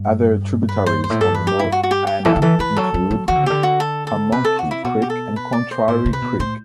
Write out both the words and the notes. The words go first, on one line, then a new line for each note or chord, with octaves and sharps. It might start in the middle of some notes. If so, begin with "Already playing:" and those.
Other tributaries of the North Anna include Pamunkey Creek and Contrary Creek.
Already playing: G2
B4
C5
C5
A2
G2 A4
B4
G4
E4
F#4
F#4
G4
G4
E3 A4
D3
E3 A4
E3 B4
F#3 A4
F#3
F#3
E3 F#4
D3
C3
D3 G4
F#4
A4
A4
C3 B4
A4
F#4
E4
B2 F#4
G4
A4
B4
D5
C5
A2 C5
C3
B4
B2
A2 C5